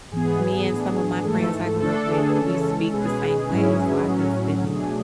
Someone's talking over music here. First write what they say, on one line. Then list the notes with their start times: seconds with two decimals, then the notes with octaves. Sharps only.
me and some of my friends I grew up with, we speak the same way, so I just didn't
0.12 G#2 E3 B3 G#4
0.69 A2 E3 B3 D4
1.24 G#2 E3 A3 A4
1.80 D3 A3 D4 A4
1.95 A4
2.09 G#4
2.29 B4
2.37 C#3 E3 G#3 C#4 A4
2.93 B2 G#3 C#4 G#4 B4
3.50 G#2 F#3 C#4 E4
4.08 A2 F#3 C#4
4.64 B2 F#3 A3 D4 G#4